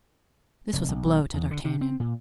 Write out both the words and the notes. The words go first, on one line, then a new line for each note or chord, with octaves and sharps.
This was a blow to D'Artagnan.
F1
B1
E2
D3
C3
C4
A#2